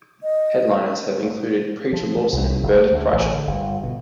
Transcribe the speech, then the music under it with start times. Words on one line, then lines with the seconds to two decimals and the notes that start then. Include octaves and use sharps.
Headliners have included Preacher Lawson and Bert Kreischer.
0.23 D#5
1.93 F3
2.16 F3
2.32 C2
2.63 F#1
2.76 A3
2.92 D2
3.13 A1
3.30 D3
3.47 G1
3.83 B2